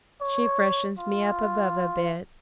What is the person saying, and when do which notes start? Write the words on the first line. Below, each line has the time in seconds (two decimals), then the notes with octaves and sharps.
She freshens me up above a bit.
0.21 C#5
0.99 F4